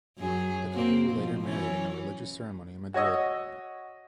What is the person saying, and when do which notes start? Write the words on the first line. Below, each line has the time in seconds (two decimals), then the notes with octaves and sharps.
The couple were later married in a religious ceremony in Madrid.
0.18 F#2 F#3 G#4
0.71 A#3 C4 F#4
1.10 B2 F3
1.44 E3 F#3 C#4
2.94 F#4 C#5 D#5 E6